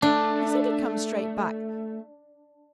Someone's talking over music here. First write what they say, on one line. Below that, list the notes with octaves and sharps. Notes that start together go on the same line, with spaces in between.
He said he'd come straight back.
A3 D4